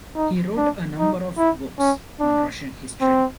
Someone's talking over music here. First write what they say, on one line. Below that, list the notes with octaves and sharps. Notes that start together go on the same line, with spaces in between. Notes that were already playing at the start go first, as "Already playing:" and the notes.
He wrote a number of books on Russian history.
D#4
D4
D#4
E4
C#4
D4
C4